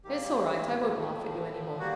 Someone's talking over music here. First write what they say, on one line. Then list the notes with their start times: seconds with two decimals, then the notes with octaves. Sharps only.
It's all right; I won't laugh at you any more.
0.04 G#2 D#3 G3 A#3 G4
0.91 A2 F3 A3
1.79 G3 A#3 F#4